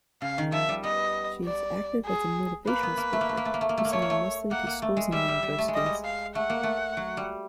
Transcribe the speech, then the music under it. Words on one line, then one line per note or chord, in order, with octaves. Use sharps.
She is active as a motivational speaker, presenting mostly to schools and universities.
C#3 F5
D#3
F3 E5
G3
B3 D#5
D5
G#4
A#3 B4
B3
A#3
A3
A#3
A3
A#3
A3
A#3
A3
A#3
A3
A#3
A3 C#5
A#3
A3
A#3 F#5
A#3
A3
G#3
G3 E5
G3
G3
A3
G#3
G3 D#5
G#3
F5
A3 F#5
A#3
A3
F#3
G3